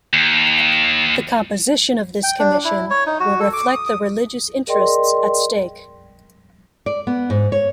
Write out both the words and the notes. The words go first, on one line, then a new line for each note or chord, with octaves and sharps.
The composition of this Commission will reflect the religious interests at stake.
D#2
G5
D4
E4
C#5
D#4
F#4
A4
D6
D#6
D#6
G#4 A#4 D5 D#5 G5 C6
D5
B3
G#2
C#5